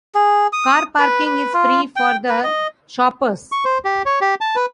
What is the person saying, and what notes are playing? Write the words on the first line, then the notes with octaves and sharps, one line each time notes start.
Car parking is free for the shoppers.
G#4
D#6
B4
B4
F4
G5
B4
D#5
C#6
C5
G4
C#5
G4
A5
B4